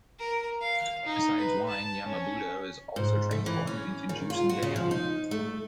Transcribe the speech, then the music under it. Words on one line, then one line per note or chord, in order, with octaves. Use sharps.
Besides wine, yama-budō is also transformed into juice and jam.
A#4
F5
D#4
B4
A5
C#4
G#2
A3
E3
C#4
D#3
F4
F#4
C#3
F3
D#4
A3